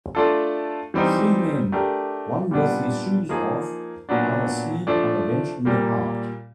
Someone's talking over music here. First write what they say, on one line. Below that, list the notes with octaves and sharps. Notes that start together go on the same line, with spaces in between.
Three men, one with his shoes off, are asleep on a bench in the park.
A3 D4 F4 A4
E3 G3 C4 D#4
A3 D4 G4 A#4
A#2 G3 B3 D4
F3 A#3 D#4 G#4
A#2 F#3 B3 D4
F3 A3 D4
A#2 G3 A#3